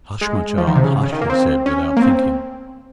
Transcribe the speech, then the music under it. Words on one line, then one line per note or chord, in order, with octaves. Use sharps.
"Hush, my child, hush!" he said, without thinking.
G#3
F3
D#3
C3
C#3
C#3
D#3
A#3
C4
C#4
A#3
C4